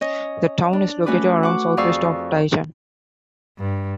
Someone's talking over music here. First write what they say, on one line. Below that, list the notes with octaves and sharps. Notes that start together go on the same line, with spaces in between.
The town is located around southwest of Taishan.
C#4 C#5 D#5
D4
A3 C#4 F#4 B4 D6
F#5 C#6 D6
F2 G#4 D5 F5 C#6 E6
G2